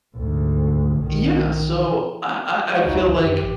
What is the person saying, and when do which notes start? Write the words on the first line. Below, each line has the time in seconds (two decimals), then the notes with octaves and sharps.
Yeah, so I I I feel like
0.16 D2 G#2
0.98 B1 D#3
2.72 G#3 F#4 C#5
2.84 E1 C#2 F#3 D#4 E4
3.04 C#2 C3 E3 C5
3.20 F#2 D#3 G4
3.40 A1